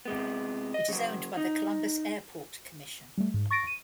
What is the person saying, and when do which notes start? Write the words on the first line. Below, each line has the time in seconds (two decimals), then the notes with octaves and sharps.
It is owned by the Columbus Airport Commission.
0.05 C3 G#3 B3
0.74 D#5
0.89 C#3 F#3
1.37 D#4
3.18 G3 A3
3.34 G#2
3.51 C#6 A6 A#6 D7
3.67 D#7